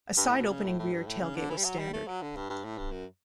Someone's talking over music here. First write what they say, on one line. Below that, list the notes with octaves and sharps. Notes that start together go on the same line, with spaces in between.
A side-opening rear tailgate was standard.
G2
A2
B2
C#3
A2
A2
G2
A2
C#3
D3
E3
G3
F#3
G3
A3
F#3
D3
G2
G2
A2
G2
F#2